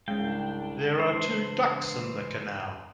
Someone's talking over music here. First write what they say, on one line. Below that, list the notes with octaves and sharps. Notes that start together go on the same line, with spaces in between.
There are two ducks in the canal.
C2 G#2 C#3 F5 G5
D4
E3 C5